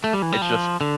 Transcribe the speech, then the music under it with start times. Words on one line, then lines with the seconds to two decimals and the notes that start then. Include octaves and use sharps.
it's just
0.04 A3
0.13 G3
0.22 E3
0.32 G3
0.42 F3
0.81 D3